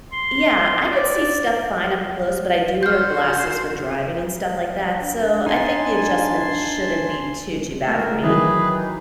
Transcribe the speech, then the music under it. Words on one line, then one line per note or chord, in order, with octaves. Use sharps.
Yeah, I could see stuff fine up close, but I do wear glasses for driving and stuff like that, so I think the adjustment shouldn't be too, too bad for me,
C6
D5
F#4 C5 F6 G6
D4
D#4 G#5 A5 C6
A#2 A3 F#4 A#4
A3
D#3 E3 F#3 G#4 B4
D#4